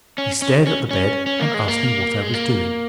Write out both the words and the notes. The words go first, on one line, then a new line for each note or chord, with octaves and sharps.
He stared at the bed, and asked me what I was doing.
C#4
C#4
C#4
C#4
C#4
A#3
G#3
A#3
G#3
A#3